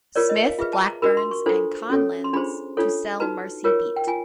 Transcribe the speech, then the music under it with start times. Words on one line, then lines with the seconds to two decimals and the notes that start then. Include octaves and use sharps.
Smith, Blackburn's, and Conlan's, to sell "Mersey Beat".
0.16 F4 A#4 C#5 D5
0.29 D#5
0.44 F5
0.59 F4 G#4 B4 E5
0.73 A5
0.88 A#5
1.02 D4 F#4 A#4 B5
1.17 C6
1.31 C#6
1.46 D4 F4 A4 C5
1.90 C#4 F#4 A4 C#5
2.24 C6
2.33 D4 F4 G#4 C5 B5
2.77 D4 F4 A4 C#5
3.20 D#4 F#4 B4 A#5
3.64 F4 A#4 C#5
3.96 G5
4.07 F4 G#5